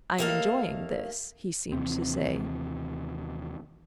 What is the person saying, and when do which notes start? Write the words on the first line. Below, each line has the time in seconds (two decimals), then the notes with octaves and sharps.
"I'm enjoying this," he seemed to say.
0.18 D#2 A3 A#3 C5 F5 A5
1.73 D#2 C3 E3 C4